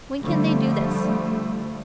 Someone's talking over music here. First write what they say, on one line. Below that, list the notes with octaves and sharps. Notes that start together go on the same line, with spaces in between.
When can they do this?'
D3 F3 G3 A3